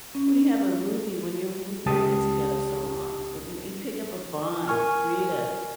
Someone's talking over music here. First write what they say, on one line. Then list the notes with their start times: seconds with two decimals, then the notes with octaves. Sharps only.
when you have a movie, when you're w working together so long. It mm, you pick up a bond, you create a
0.15 C#4
1.86 C#2 G4 A5 D#6
4.68 A#4 G#5 C#6 F6